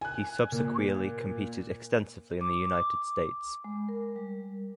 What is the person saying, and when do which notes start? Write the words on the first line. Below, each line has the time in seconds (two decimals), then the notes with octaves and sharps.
He subsequeerly competed extensively in the United States.
0.01 G#5 F#6
0.52 A#2
2.41 D6
3.02 D6
3.64 G#3
3.89 A#4
4.16 G3